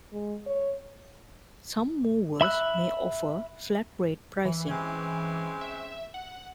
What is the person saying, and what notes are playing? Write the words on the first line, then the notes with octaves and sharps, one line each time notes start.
Some movers may offer flat rate pricing.
G#3
C#5
E5 B5 E6 F#6
E3
G#3 C4 C#4
E5
F#5